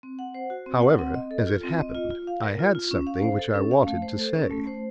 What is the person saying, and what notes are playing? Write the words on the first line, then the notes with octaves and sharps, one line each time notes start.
However, as it happened, I had something which I wanted to say.
C4
F#5
C5
F#4
C4
F#5
C4
D#5
A4
F4
C4
D#5
F4
F4
F5
A#4
F4
F4
C#4
F5
C5
A4
C#4
F5
A3
C5
A4
C#4
A3
C5